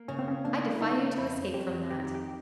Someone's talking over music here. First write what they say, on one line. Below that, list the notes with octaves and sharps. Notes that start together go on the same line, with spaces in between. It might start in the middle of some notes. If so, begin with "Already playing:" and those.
I defy you to escape from that.
Already playing: A#3
C#3 C#4
C4
C#4
A#3 D4
E4
C#3 D#4
F2 E4
F2 G4
D#3 G4
G4